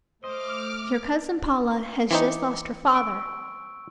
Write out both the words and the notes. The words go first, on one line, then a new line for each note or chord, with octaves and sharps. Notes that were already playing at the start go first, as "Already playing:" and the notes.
Your cousin Paula has just lost her father.
A3 C5 D#5 D6 F6
E3 C4 D#4 D6 C#7
C#6 E6 D7